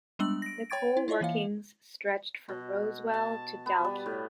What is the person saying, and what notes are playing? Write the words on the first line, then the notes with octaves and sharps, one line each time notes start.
The coal workings stretched from Rosewell to Dalkeith.
G3 G#3 B3 D4 E6 F#7
A#6 D7
C#5 G5 G#6 A6 D7
E4
E4 F4 C#5 D#5 E5
E3 A#3 F5
B2
A5
B3
G3
A2